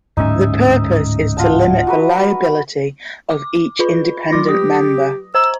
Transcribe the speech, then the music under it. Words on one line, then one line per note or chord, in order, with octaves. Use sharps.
The purpose is to limit the liability of each independent member.
D1 G#2 C#4 D#4 E5 G#5
F4 F#5 A5
F#4 A#4 B4
D6
F4 B4 B5
F#3 F4 D6 A#6
G4 D#6
C5 A#5 E6